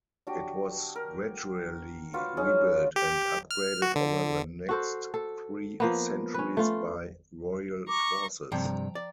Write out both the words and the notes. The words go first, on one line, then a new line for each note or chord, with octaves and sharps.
It was gradually rebuilt and upgraded over the next three centuries by royal forces.
D4 F#4 G4
A#4
F4 F#4 B4 F5
C#4 D#4 G#4
G4
F6
F#4
D3
F#4 A4 C5
A4
F3 A#3 B3
C#4 B4
A3 F4
A#5 C#6 D6
G2 C3 F3 G5 A#5
D5